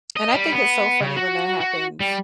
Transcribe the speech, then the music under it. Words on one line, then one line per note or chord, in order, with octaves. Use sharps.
And I think it's so funny when that happens.
D#5
G3
B3
C#3
F#4
F#4
G3